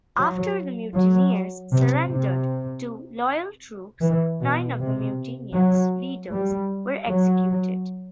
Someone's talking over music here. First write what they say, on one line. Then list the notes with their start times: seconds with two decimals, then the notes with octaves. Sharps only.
After the mutineers surrendered to loyal troops, nine of the mutineers' leaders were executed.
0.19 F#3
0.96 F#3
1.72 C3
2.10 C3
4.02 E3
4.39 B2
4.78 C3
5.54 F#3
6.31 G3
7.07 F#3